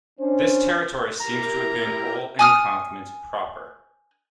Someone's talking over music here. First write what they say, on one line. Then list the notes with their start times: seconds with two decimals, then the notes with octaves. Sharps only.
This territory seems to have been Ol nEchmacht proper.
0.19 C#4 D4 C5
1.20 E4 G4 A#4 A#5
2.39 G#5 D#6 F6